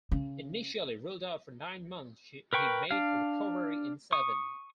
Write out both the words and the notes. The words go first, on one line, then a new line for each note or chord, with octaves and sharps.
Initially ruled out for nine months, he made a recovery in seven.
C#3
A#4 B4 G5 C#6
D4 F5
C#6 D#6